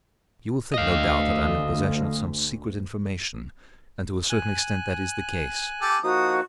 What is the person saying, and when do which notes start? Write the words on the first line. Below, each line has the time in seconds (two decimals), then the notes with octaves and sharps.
You will think, no doubt, that I am in possession of some secret information, and to a certain extent that is the case.
0.74 D2 D#5 F5
4.30 G#5 F#6
5.81 G4 A4
6.04 F3 A#3 D#4 F#4 D#6